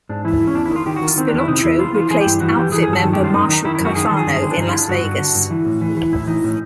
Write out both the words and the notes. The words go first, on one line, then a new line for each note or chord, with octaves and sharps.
Spilotro replaced Outfit member Marshall Caifano in Las Vegas.
G#2 D4
E3 E4
E3
C#4
E2 D4
E4
D#3 F4
D#3 G4
F#4
D#3
F4
D#3 C4
E2 D4
E4
C3 D#4
E4
E2
E3 F4
E3 F4
E3 G#4
G4
G2
E3 F#4
E3 G4
E3 G#4
G#4
G2
A4
D#3
F#2 G4
F4
D#3 D#4
D#3 D#4
D#3 E4
E4
F#2
F#4
D#3 G#4
D#3 A4
G#4
G2
D3
D4
G2 D#4
E4
D3
F4
G2 F#4
G2
D3
G2
E3
A2
E3
E3
A2 E4
E3 D#4
A2